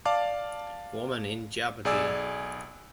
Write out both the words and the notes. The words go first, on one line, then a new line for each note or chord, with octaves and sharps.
Women in Jeopardy!
D5 F5 A5 D6
B1 G#4 D5 G#5 E6